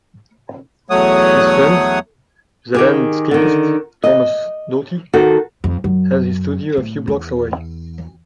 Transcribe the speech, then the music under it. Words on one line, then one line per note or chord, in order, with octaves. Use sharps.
His friend, the landscapist Thomas Doughty had his studio a few blocks away.
E2 F#3 A3 C#5 F#5 D#6
D#3 G4 G#4
D3 D#3
D#5
D#3 F#4 A4
F2
F#2
A2
E2